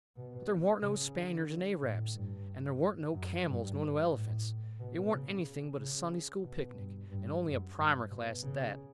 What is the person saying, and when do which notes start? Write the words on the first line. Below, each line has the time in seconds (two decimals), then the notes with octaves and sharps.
But there warn't no Spaniards and A-rabs, and there warn't no camels nor no elephants. It warn't anything but a Sunday-school picnic, and only a primer-class at that.
0.16 B2
0.82 C#3
1.16 D3
1.81 A2
2.14 G2
3.13 F#2
3.46 G2
4.12 A2
4.79 B2
5.12 C#3
5.78 C#3
6.44 B2
6.77 G2
7.10 G2
7.44 F#2
7.77 G2
8.10 B2
8.43 C#3